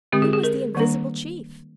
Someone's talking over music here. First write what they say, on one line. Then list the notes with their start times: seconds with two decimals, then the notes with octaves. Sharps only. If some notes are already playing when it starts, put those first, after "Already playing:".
Who was the invisible chief?
0.12 D3 G#3 C4 G4
0.22 G#4
0.33 G#4
0.43 A#4
0.75 D#3 G3 A#3 D4